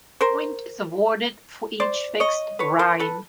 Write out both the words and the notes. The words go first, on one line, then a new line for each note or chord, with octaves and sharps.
A point is awarded for each fixed rhyme.
A#4 C5
C5 D5
C#5 D#5
B4 C#5
A#4 C5
A4 B4